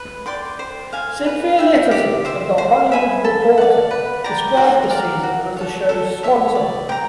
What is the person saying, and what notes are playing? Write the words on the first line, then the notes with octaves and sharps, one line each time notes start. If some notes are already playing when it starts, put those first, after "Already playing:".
Cynthia Littleton of "The Hollywood Reporter" described the season as the show's "swan song".
Already playing: B4
D5 G5 C6
C5
F5 G#5
B4
E5 G5
G4
C5 E5
C5
E5 G#5 B5
A4
D5 F#5
B4
D5 G5 A#5
F#4
A#4 D5 F5
F#4
A4 C#5
A4
C#5 E5
D5
G5 A#5